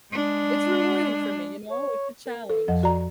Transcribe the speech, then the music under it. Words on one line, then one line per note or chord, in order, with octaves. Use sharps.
it's rewarding for me you know, it's a challenge.
G#3 D4
C#5
A#4
A4
F2 F3 D#5 F#5
F#4 D5 A#5